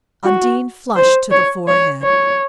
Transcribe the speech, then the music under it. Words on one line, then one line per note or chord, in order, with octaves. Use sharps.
Undine flushed to the forehead.
F#4
C5
C#5
C#5
C#5